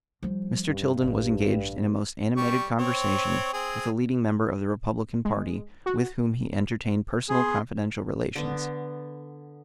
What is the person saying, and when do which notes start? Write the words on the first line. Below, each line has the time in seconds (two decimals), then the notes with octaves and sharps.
Mr. Tilden was engaged in a most animated conversation with a leading member of the Republican party with whom he entertained personal confidential relations.
0.23 F3 G3
0.68 G2 C#4
1.02 A1
2.37 G3 C#6
2.79 C4 C#5
3.54 C4 G#4
5.25 G#3
5.86 F#4
7.29 B3 G#4 C6
8.36 D3 B3